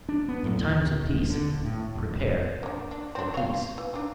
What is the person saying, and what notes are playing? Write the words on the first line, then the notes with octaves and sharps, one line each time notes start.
In times of peace prepare for peace.
D4
B3
F#2
D2
D#1
D3
D#1
A2
E1
F1
A#3 D4
D4
C4 D4
C#5 F5
E3
D4 D#4